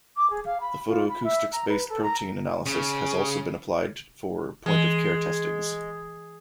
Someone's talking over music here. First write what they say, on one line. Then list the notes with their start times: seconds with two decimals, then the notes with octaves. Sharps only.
The photoacoustics-based protein analysis has also been applied for point-of-care testings.
0.16 D6
0.30 G#4
0.45 F5
0.60 B5
0.88 F4
1.08 B5
1.24 E5
1.51 A#5
1.68 B4
1.89 A4
2.02 A#5
2.66 C#3
4.66 E3 G#3